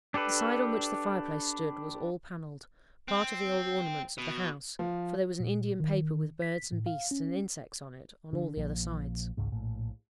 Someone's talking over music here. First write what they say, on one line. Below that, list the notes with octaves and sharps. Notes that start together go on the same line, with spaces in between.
The side on which the fire-place stood was all panelled,--part of the old ornaments of the house, for there was an Indian paper with birds and beasts and insects on it, on all the other sides.
D4 G4 A4 B4
C4
B2
F3
A#2
D#3
B6
A2
F5
C#4
D3
A#1 A#2 F3
G#1 C#2 G#2
A#1 A2